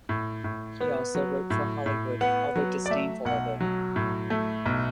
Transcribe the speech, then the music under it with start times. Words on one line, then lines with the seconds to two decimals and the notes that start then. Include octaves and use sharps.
He also wrote for Hollywood, although disdainful of it.
0.09 A2
0.44 A2
0.80 B3
1.15 F#3
1.50 A2
1.86 A2
2.21 B3 F#5
2.56 F#3
2.86 D5
2.90 A3 E5
3.25 B1 F#5
3.61 F#3
3.96 A2
4.30 A3
4.66 B1